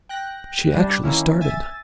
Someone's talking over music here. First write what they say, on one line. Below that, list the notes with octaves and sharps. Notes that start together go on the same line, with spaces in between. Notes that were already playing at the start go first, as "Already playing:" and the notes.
She actually started.
G5 F#6 A#6
C3 G3 D4
D#3 A#3 C#4 E4
E5 G#5 A6